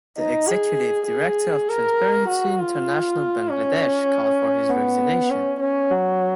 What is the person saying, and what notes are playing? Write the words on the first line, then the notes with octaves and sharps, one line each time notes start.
The executive director of Transparency International Bangladesh called for his resignation.
D#4
G#4
G#4
A#4
F#4
F4
C#4
B3
C#4
C#4
F#3